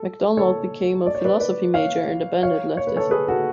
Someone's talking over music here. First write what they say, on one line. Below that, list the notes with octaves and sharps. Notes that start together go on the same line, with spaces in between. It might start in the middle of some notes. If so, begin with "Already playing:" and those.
MacDonald became a philosophy major and abandoned leftism.
Already playing: A4
A4 C#5
D5
C#5
B4 D5
B4 D5
C#5 F5
C#5 F5
C#5
B4
A4 C#5
G#4 B4
F#4 A4